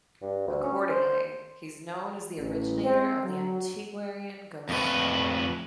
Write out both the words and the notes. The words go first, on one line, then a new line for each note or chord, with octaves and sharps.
Accordingly, he is known as the originator of the "antiquarian ghost story".
G2
D2
C#4
C5
A1
C4
F#3
F2 A3 B4